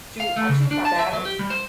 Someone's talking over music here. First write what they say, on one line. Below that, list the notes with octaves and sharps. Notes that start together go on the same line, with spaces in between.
choo I choose my battles.
F5
A3
C#3
D4
A5
E5
F#3
G4
G3
C5